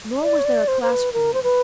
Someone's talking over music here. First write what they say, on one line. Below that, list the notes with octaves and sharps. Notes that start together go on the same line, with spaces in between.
Nor was there a class for me.
D5
C#5
D5
C5
C5
B4
A#4
C5
B4